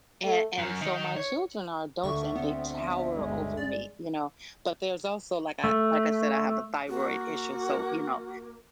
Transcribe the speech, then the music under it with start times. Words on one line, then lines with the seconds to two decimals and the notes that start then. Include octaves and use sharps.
a and so my children are adults and they tower over me, you know, but, there's also, like, I like I said, I have a thyroid issue, so, you know,
0.24 A3
0.58 F#2
0.81 D#3
1.17 C#5
2.04 D2 D3 E5 C#6
2.36 B3 C4
3.15 G1 G#3
3.57 D5
5.64 A3
6.88 A#3 F#4